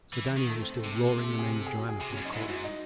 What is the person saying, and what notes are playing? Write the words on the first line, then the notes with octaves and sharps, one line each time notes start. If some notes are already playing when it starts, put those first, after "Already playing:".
Sir Daniel was still roaring the name of Joanna from the courtyard.
E3
D#3
A3
C4
A3
C3
A3
A3
A3
G#4
A4
G#4
F#4
G#4
C3
F#2 C#4
D#4
G#2 E4
G#2 F#4
D#4